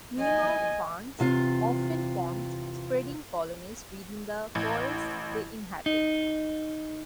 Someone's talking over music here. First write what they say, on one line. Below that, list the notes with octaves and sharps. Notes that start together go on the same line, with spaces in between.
New York ferns often forms spreading colonies within the forests they inhabit.
D#5 G#5
E2 C3 F4
A1
D#4